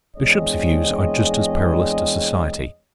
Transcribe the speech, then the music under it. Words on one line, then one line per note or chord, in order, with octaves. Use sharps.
The Bishop's views are just as perilous to society.
E2 G#3 C4 D4 C#5 D#5